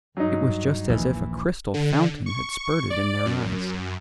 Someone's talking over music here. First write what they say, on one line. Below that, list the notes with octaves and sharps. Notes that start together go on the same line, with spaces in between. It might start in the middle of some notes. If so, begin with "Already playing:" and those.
It was just as if a crystal fountain had spurted in their eyes.
G2 F#3 D#4
A#1 D#2 E3
D3
C#6
D5
F#2